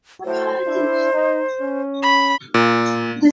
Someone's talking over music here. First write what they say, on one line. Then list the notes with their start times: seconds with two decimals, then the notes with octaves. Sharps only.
Alexander Whitaker converted Pocahontas to Christianity during her captivity.
0.25 A2 F#3 C5
0.66 D4 E4
1.12 D#4
1.60 C#4
2.02 B5
2.54 A#2